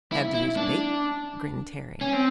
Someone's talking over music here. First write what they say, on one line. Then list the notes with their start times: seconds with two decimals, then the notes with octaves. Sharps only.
"Have to use bait," grinned Terry.
0.12 E4
0.34 E4
0.57 D4
2.01 C#4
2.13 C4